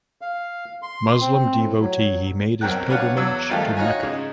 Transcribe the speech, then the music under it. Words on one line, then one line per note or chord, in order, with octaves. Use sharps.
Muslim devotee he made his pilgrimage to Mecca.
F5
C6
C4
A2
F#3
B1 F#3 C4 A#4 G5 F#6
D4 B4 C#5 F5 F#5
E2 F#3 E6
G2 D#3 F3 A3 F4 G4
D#4 F4 F#4 C#5 G#5
G#2 C#3 G#3